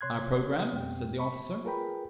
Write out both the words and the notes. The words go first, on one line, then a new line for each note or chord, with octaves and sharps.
"Our programme?" said the officer.
C3 C#5 C6 F#6 G#6
F2 B2 G3 A3 C4 G5
B5 C#6
F4 G#4 A#4 B4 G5 B5